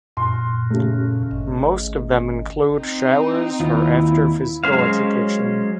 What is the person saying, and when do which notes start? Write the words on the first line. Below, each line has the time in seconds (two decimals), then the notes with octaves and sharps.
Most of them include showers for after Physical Education.
0.17 F#2 A#2 C6
0.70 C#3 A3
1.31 G#1
2.79 C4 D#4
3.60 D#2 E4 F4
4.64 F#3 G#3 C#4 C5 F5